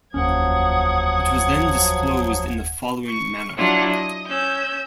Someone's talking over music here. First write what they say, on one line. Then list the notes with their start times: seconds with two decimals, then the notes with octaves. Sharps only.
It was then disclosed in the following manner.
0.14 F1 D#2 F3 F#3 C#4 F#5 D#6 G#6
3.09 C#6
3.56 F#3 D4 E4 F4 F#5
3.89 D#5
4.28 C#4 E6 G6